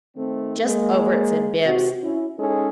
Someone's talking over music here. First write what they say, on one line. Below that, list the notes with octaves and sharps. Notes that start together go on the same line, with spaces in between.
"Just over it," said Bibbs.
D#3 A3 C4
G#3 A#3
C3 F#4
C#4 E4
G#3 C#4 D#4 G#4 A4